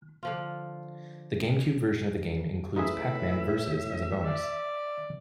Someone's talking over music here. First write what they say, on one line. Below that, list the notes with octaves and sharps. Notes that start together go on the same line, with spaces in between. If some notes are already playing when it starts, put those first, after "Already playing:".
The GameCube version of the game includes Pac-Man Versus as a bonus.
D3 F3 F4
A2 D#4 F4 G#4 B4 E5
D5